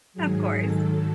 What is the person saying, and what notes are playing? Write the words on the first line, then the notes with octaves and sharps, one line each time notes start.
Of course.
G#2 D#3 F#3 G#4
A4